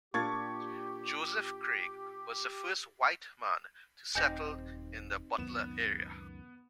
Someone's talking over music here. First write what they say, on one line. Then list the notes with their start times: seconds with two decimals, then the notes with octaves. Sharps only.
Joseph Craig was the first white man to settle in the Butler area.
0.14 A#2 D4 G4 C#6 G#6 A6
4.15 D#1 C4 D#4 G4 G#5 G6 A#6
5.38 C#2 F#2 D#3 B3 E7